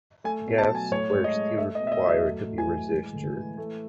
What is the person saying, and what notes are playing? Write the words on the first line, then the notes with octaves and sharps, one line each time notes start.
Guests were still required to be registered.
A3 G#5
B2
A5
F#3
G#5
A2 C#5
G#3
D#5
G#3
A3 E5
D#5
B2
E5
D#5
F#3
E5
A3
A2
G#5
E3
G#3
A2
E3
A3